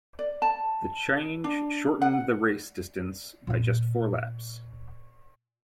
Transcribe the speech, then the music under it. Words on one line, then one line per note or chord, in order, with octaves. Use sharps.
The change shortened the race distance by just four laps.
D5
A5
D4
F#5
A#2 F4